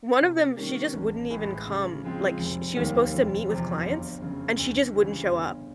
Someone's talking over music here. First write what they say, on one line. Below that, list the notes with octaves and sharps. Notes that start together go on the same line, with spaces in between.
One of them, she just wouldn't even come. Like, sh she was supposed to meet with clients, and she just wouldn't show up.
C3
D#3 G3 A#3 C#4
A1
A2 E3 G#3
C#3
F3 G#3 C4 F4
F1
D#2 D#3 G3 A#3
F1
E2 C3 F3
G1
F#2 C#3
D2
C#3 E3 G3
G1